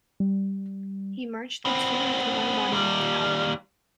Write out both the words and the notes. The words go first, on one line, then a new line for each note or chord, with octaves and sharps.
He merged the two into one body named Alba.
G3
B3 C4
D#2 G3